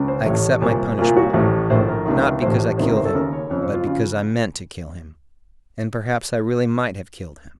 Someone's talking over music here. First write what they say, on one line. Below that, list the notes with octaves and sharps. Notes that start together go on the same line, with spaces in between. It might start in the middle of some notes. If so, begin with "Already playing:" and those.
I accept my punishment, not because I killed him, but because I meant to kill him, and perhaps I really might have killed him.
Already playing: C#2 C#3
C5
A1 A2 C#5
C2 A#2 C5
C2 A#2 F4
F#4
A1 A2 C5
A#1 A2 C5
A#4
C#2 C3 D#3
A1 A2 C5
C#2 C3 D#3 C5
A#4
C5
A4
D#2 C#3 A#4
C#5
F2 C#3 C#5
C5
F4
C#3 F4